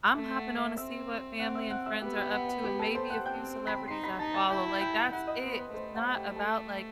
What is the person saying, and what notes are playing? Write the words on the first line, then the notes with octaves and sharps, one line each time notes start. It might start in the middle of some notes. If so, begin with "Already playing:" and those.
I'm hopping on to see what family and friends are up to and maybe a few celebrities I follow, like, that's it. It's not about, like,
A3 E5
F#5
E5 E6
C4 E5 E6
C4 F#5 F#6
E5 E6
F#5 F#6
E5 E6
B3 G4 G5
G4 G5
F#5
F#5
G4 G5
A4 A5
C5 C6
F#5 F#6
C4 G5 G6
B5 B6
D#4 C6 C7
B5 B6
D#4 A5 A6
A5 A6
E4 G5 G6
G5 G6
G6
E4 F#5 F#6
D#5 D#6
B3 C5 C6
B4 B5
A3 C5 C6
F#5
G4 G5
A4 A5